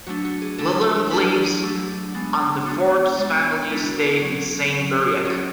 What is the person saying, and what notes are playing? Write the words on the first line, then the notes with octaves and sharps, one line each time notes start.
Lalonde lives on the Forbes family estate in Saint-Briac.
F#3 A3 D4 F#4
F#4
G#4
F#3 A3 D4 A4
F#3 A3 D4 B4
G#4
F#3 A3 D4
G#3 B3 D4
G#3 B3 D4 F#4
G#3 B3 D4
G#3 B3 D4 E4
F#4
G#4
F#3 C#4
F#3 C#4
F#3 C#4 F#4